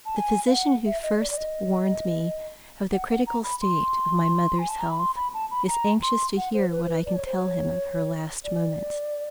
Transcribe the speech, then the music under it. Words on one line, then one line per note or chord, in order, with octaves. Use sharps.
The physician who first warned me of the critical state of my mother's health is anxious to hear what I can tell him of her last moments.
A5
G#5
F5
F#5
E5
D#5
D5
D5
D#5
F#5
F#5
A#5
B5
C6
G#5
A5
A#5
B5
C6
B5
A5
B5
A#5
C6
F#5
C5
B4
C5
B4
D5
C#5
C5
C#5
D5